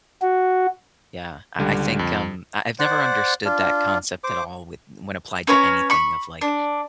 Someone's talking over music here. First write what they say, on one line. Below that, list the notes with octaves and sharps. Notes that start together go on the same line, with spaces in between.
Yeah. I I think, um, I I've never understood that concept at all with, when applied to anything of, like,
F#4
C#2 D3 G3
F2
C5 D5 F#5
D4 F4
C5 D6
C#4 B4 C#5 A#5
B5 C#6
D4